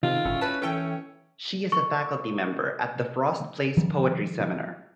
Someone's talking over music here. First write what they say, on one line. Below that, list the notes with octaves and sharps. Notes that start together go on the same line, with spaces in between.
She is a faculty member at The Frost Place Poetry Seminar.
C3 D#3 F4
G1 A2 C#4 E4 C#5
B4 A5
E3 C#4 E4 A4 C#5 G5
C#6
D#3 F3 G3